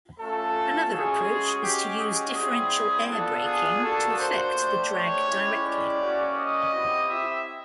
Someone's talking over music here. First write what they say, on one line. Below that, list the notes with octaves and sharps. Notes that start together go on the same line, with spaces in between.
Another approach is to use differential air braking to affect the drag directly.
A3 C#4 F4 A4
G#3 C#4 F#4 G#4
G#3 C#4 F#4 G4
G#4
G3 C4 E4 G4 G#4
B3 D4 F4 A4
G#4
A#3 D4 F#4 A4
C5
A3 D4 G4
C#5
G#3 C#4 E4 G4
D5
A#3 C#4 F#4
D#5
C4 E4 G4
E5